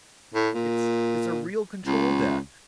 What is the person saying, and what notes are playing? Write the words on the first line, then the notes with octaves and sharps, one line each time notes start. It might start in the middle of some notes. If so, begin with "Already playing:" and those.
"It's--it's a real control deck!"
A2
A#2
C#2